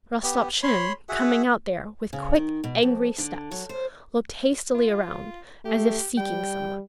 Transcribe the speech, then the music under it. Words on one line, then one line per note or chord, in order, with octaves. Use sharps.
Rostopchin, coming out there with quick angry steps, looked hastily around as if seeking someone.
B3 G4
C#5 B5 C6
F#4 G#4 E5 F#5
C#3
D#3
B2
F2
D3
F#3
C5
F4
A3 G4
G3 G5